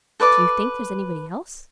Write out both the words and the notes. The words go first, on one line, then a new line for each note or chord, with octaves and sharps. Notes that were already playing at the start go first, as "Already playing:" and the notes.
'Do you think there's any one else?'
A4 B4 D5 D6